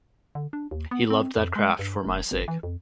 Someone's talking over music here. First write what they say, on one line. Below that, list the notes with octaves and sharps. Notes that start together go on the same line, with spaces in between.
He loved that craft for my sake.
D3
D4
D#2
B3
C4
F2
G#3
G2
F1
G#1
E3
F2